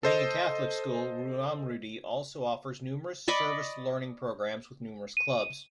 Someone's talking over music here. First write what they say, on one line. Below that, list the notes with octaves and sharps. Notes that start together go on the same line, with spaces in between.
Being a Catholic school Ruamrudee also offers numerous service learning programs with numerous clubs.
A4 C5 D#5
D5 D#5 B5 C#6
D#7